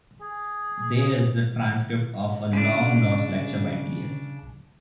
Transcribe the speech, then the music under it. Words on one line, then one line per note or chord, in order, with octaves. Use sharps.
There's the transcript of a long-lost lecture by T. S.
G#4
C#3 D4